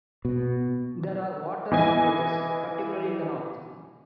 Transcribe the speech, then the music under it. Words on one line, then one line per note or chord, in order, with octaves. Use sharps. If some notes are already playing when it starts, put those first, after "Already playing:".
There are water shortages, particularly in the north.
B2
E3 D#5 G#5